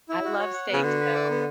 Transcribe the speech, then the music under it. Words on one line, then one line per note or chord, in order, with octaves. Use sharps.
I love steak, so
E4
F#4
C#5
F#5
C#3 B3
D3 F#4
B4
D5
B3